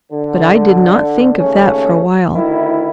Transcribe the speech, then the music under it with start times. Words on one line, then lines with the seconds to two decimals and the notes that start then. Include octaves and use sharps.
But I did not think of that for a while.
0.13 D3
1.40 D#2 C#3 A3 C#4
2.35 D2 D#3 E4